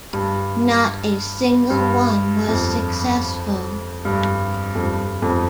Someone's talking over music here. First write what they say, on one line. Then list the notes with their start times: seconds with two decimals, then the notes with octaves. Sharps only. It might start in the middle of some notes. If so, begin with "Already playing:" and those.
Not a single one was successful.
0.13 G2
1.70 G2
2.48 F2
4.05 G2
4.75 F2
4.83 G2
5.22 F2